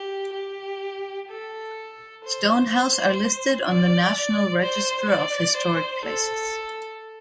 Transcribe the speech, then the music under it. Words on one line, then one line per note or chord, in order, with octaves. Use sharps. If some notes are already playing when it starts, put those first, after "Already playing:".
Stone House are listed on the National Register of Historic Places.
Already playing: G4
G4
A4
C5
C5
D5
C5
D5
C5
A4